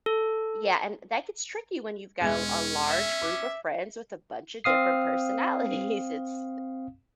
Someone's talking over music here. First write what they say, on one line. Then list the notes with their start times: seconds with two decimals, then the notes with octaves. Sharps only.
yeah, and that gets tricky when you've got a a large group of friends with a buncha different personalities, it's
0.06 A4
2.21 E1 G#3 C#4
2.86 E5
3.22 D6
4.64 C4 F5 D#6 C7